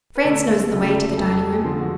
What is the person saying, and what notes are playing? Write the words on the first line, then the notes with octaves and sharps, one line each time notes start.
Franz knows the way to the dining-room.
B4
D2 A4
C#3 F#3 A3
F2 A4
G#4
D3 F3 G#3
F#4